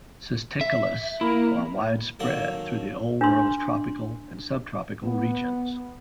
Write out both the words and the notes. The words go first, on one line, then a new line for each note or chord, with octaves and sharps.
Cisticolas are widespread through the Old World's tropical and sub-tropical regions.
E5
A#3 E4
D#3 F#3 A#3 A4
D4 C6
B3